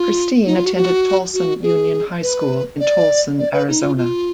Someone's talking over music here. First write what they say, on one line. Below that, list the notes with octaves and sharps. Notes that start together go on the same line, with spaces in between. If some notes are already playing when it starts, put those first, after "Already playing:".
Christine attended Tolleson Union High School in Tolleson, Arizona.
Already playing: F4
D#4
F4
F#4
F#4
F#4
G#4
B4
D5
D5
B4
D#4
F4
F4